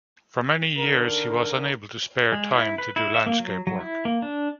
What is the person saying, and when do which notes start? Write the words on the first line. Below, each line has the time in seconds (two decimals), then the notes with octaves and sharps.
For many years he was unable to spare time to do landscape work.
0.76 D3 D#3 A#4
2.32 G#3
2.52 E4
2.78 B4
2.96 E4
3.14 E5
3.26 A#3
3.40 F#3
3.67 F#3
3.81 E4
4.05 A#3
4.22 D4